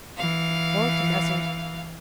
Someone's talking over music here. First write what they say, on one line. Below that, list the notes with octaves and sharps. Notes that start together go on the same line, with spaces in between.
Or to Messrs.
E3 F5